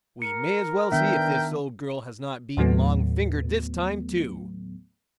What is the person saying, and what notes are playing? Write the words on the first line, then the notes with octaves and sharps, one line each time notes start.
'We may as well see if this old girl has not been long-fingered this time too.'
A#4 C#7
D#3 B3 D4 E5 G5
D#2 A2 F#3 A3 B3